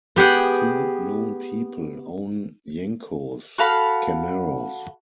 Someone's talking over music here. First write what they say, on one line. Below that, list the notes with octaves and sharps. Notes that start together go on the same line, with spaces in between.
Two known people own Yenko's Camaros.
B3 G4 G#4 F#5 G5
F#4 A4 F5 B5